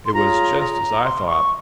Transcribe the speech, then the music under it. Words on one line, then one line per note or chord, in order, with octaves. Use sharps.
It was just as I thought.
C6
F4 G#4 C#5 A#5
A#5
C6
C#6